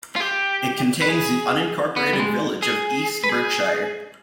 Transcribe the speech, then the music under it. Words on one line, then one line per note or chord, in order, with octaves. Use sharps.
It contains the unincorporated village of East Berkshire.
F4
G4
B4
G#4
B3
G3
G#3
G#4
B4
G#4